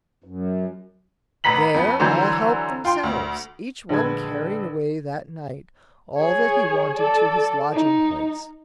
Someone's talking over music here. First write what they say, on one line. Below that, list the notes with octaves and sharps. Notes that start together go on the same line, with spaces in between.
There all helped themselves, each one carrying away that night all that he wanted to his lodging-place.
F#2
A1 B4 A#5 B6 F#7
F2 B3
D3 E3 F#3 C5 A#5 G6
F4 G5 C6
D2
A#1 D3 G#3 A4 B4 G#6
G#4 C#5
A4 D5
D#4